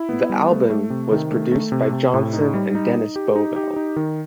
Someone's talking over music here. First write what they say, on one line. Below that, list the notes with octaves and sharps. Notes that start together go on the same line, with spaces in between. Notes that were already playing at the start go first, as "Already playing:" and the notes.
The album was produced by Johnson and Dennis Bovell.
Already playing: E4
B3
G3
A3
A3
C3
D#3
A3
A3
C3
C3
A2
D#4
G3
D#4
D#4
G4
D#4
G4
D#4
D#3